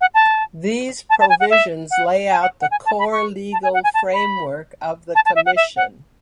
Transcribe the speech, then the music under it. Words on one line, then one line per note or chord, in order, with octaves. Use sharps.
These provisions lay out the core legal framework of the commission.
F#5
A5
A5
A5
G#5
F#5
E5
F#5
G#5
F#5
F#5
G#5
A5
B5
C#6
A5
G#5
F#5
G#5
A5
B5
A5
A5
E5
F#5
E5
F#5